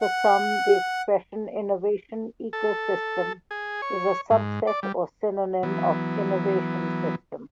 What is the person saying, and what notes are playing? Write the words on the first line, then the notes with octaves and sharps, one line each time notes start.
For some, the expression 'innovation ecosystem' is a subset or synonym of 'innovation system'.
F#5
A4
G#4
C#5
G#2
D5
G3
E3 F#3 B3